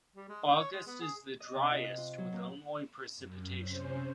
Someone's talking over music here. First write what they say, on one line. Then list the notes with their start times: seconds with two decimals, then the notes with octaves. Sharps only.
August is the driest with only precipitation.
0.16 G3
0.29 G#3
0.47 D#4
0.59 C#5
0.72 G#3
0.87 B3
1.01 G#4
1.40 D#5
1.55 C3
1.71 F4
1.84 F#6
1.98 F4
2.18 F#3
2.33 A#2
3.17 F#2
3.60 C3 C#4 C5